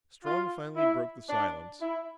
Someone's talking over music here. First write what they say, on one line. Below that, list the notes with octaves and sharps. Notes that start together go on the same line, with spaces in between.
Strong finally broke the silence.
F4
E4
D4
E4